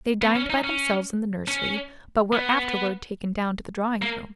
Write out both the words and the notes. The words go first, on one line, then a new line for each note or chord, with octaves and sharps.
They dined by themselves in the nursery, but were afterward taken down to the drawing-room.
B3
C#4
D#4
C#4
C#4
B3
A#3